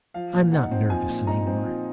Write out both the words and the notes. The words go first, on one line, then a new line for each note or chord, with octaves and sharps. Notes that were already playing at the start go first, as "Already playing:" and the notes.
'I'm not nervous any more.
F3 F5
A#2
D#4 F#5
C4
F3 G#5
A#2
D#4 A#5
C4
F3